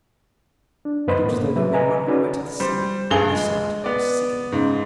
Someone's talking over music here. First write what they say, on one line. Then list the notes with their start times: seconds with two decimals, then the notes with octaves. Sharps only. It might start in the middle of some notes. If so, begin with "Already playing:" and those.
It looked as though they were going to run all the way to the sea, and the sight was sickening.
0.85 D4
1.07 F#2 B3 B4 C5 D#5 B5
1.24 A2 A#3
1.56 F#3 B4 E5
1.73 B4 D#5 G#5 A#5 B5
2.07 C#4 D#4 F#4 B4 D5
2.60 G3 C5
3.11 A#1 G2 G#4 G7
3.32 G#3
3.84 B3 D5
4.52 G#2 C#3